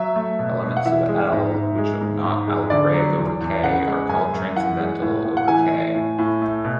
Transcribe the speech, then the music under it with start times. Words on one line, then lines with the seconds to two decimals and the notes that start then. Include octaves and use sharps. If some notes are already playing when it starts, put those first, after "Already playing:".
Elements of "L" which are not algebraic over "K" are called transcendental over "K".
Already playing: F#3 E5
0.16 A3
0.39 B2
0.62 B2
0.77 F#5
0.85 E3 E5
1.09 G#3
1.32 G#2
1.54 G#2
1.78 G#3
2.01 G#2
2.24 G#2
2.47 G#3
2.70 D3 D5
2.94 F#3
3.18 E2
3.41 E2
3.63 C#3 F#5
3.87 G#3
4.09 F#2 G#5
4.33 F#2
4.56 E3 F#5
4.80 G#3
5.02 A2
5.25 A2
5.37 F#5
5.48 E3 G#5
5.71 A3
5.94 A2
6.18 A2
6.42 A3
6.64 B2